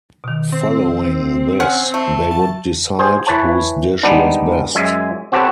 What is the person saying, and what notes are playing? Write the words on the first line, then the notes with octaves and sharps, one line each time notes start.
Following this, they would decide whose dish was best.
B2 D#3
C4
C#4 F#5 G#5
A3
F#3 A5
G#4 C5
E3 B4 C#5 A5
D#3 G3 G#3 B3 D4 D#4
F#2 G#3 E5 G#5
C4 F#4 G4 A4 B4 C#5